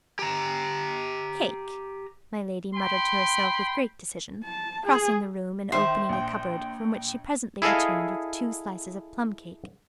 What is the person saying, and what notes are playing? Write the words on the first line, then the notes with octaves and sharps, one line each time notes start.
"Cake!" my Lady muttered to herself with great decision, crossing the room and opening a cupboard, from which she presently returned with two slices of plum-cake.
G4 A#5
G5 B5 C6
A5
G#4
D#3 C5 E5
A#1 G5
E4 G#4 A4 D#5 F5